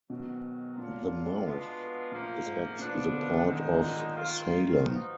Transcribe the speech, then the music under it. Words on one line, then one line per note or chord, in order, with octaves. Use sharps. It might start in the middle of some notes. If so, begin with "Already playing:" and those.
The mouth is at the Port of Salem.
G#2 B2 D#3 F#3
A#2 D3 F#3 A#3 D4 F4
B2 G#3 B3 D4 F4
F#2 A#2 F3 A#3
G#2
A#2 F3 B3 D4
B2
D3
F#2 D3 D#3 G#3 D#4
G#2
A#2
D#3 A#3 F4
G#2
F3 B3 D#4 F#4